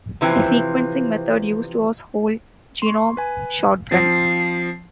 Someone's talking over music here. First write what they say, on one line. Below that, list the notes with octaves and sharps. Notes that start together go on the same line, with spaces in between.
The sequencing method used was whole genome shotgun.
C3 E3 F3 C4
C6 C#6
B4 G#5
F3 C4 C7